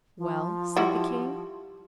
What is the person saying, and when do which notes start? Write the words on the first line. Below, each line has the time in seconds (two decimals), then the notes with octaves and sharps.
"Well?" said the king.
0.18 F3
0.77 G3 E4 F#4